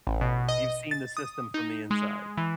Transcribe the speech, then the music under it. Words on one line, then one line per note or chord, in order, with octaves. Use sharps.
You've seen the system from the inside.
A1
B2
D#5
A6
D#6
D#4
G#3
E3